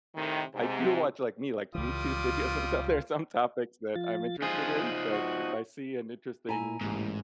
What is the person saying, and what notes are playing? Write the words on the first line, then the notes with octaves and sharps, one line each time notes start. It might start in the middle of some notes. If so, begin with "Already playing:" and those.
I do watch, like, me, like, YouTube videos and stuff, there are some topics that I'm interested in that if I see an interesting
A2 C3 D#3
G#2 C3
C#2 E3 G3 F4 D6 D#6
F3 F4 A6
D#4 F4 G#4 C5 D#6 F#6
F#4
A#2 E4 G#5 A#5
A1 G#2 A#3 E4 G4